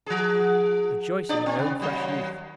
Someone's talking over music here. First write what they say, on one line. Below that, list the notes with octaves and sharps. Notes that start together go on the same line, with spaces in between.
"Rejoice in thy own fresh youth!"
F3 G#4
D4 D5
C4
C3
D#2 F#3